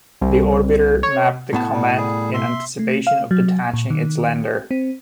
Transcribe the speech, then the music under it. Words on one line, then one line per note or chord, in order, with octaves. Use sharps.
The orbiter mapped the comet in anticipation of detaching its lander.
C2
C#5
A2 B3 A5
G3
G3 G#4
E5 C6
A3
F5
F#3
A#2
D#3
C4